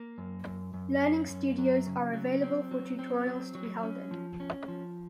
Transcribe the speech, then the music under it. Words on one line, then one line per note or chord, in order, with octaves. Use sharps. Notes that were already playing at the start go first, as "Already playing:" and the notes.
Learning studios are available for tutorials to be held in.
Already playing: A#3
F#2
F#2
F#2
C#4
F#2
F#3
C#3
F#3
C4
F#3
C4
F#3
F#3
C#4
F3
C#4
F3